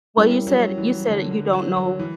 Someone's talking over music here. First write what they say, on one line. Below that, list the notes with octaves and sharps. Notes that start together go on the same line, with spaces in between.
Well, you said you said you don't know
G3 C#4 E4 A#4
F#3
E3
D3
D3
F#3
F#3
E3